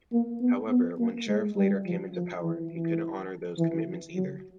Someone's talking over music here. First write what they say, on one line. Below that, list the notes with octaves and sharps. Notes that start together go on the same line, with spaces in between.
However, when Sharif later came into power, he couldn't honour those commitments either.
A#3
B3
B3
A#3
G#3
G3
F3
F3
E3
E3
E3
F#3